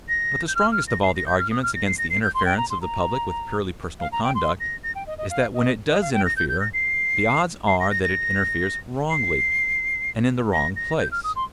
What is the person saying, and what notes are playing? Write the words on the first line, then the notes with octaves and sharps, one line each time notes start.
But the strongest of all the arguments against the interference of the public with purely personal conduct, is that when it does interfere, the odds are that it interferes wrongly, and in the wrong place.
A#6
G6
F6
F6
A#6
C7
A#6
G6
F6
D#6
F6
A#6
C7
A#6
C7
G6
C6
G5
A#5
C6
A#5
F5
A#5
G5
C6
A#6
A#6
G5
D#5
D#5
F5
D#5
D#5
F5
G5
A#6
G6
G6
A#6
C7
C7
A#6
A#6
A#6
C7
A#6
A#6
G6
F6
D#6
C6